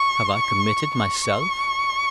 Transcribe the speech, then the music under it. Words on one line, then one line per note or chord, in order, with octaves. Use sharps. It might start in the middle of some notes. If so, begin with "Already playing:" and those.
Have I committed myself?
Already playing: C#6
C#6
C#6